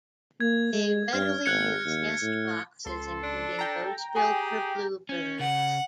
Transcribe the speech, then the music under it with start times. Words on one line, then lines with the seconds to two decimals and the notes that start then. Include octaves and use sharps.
They readily use nest boxes, including those built for bluebirds.
0.40 A#3 G#6
0.73 G#3
1.13 G2 F6
1.46 G#1 F#6 G#6 C#7
1.85 D#2
2.21 A2
2.86 C#2 A4 C6
3.23 D4
3.59 G5 A#5
4.16 G4 G#4 G#5
5.09 C#4
5.40 C#3 F#5